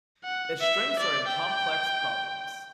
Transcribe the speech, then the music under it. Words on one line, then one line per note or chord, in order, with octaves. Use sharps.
Its strengths are in complex problems.
F#5
E5
D5
G5